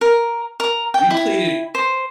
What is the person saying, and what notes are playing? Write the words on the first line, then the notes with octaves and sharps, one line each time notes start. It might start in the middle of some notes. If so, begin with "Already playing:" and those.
We played it
A#4
A#4
G5
E4
C5